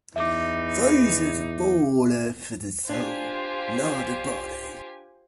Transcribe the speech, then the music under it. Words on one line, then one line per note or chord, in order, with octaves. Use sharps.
Faith is born of the soul, not the body.
E2 E3 D#4 E5 D6
D4 F4 G4 C5 G#5